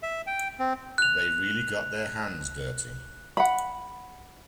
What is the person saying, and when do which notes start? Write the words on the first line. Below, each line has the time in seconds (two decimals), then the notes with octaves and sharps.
They really got their hands dirty.
0.03 E5
0.27 G5
0.59 C4
0.98 F#6 F7
3.37 F#5 B5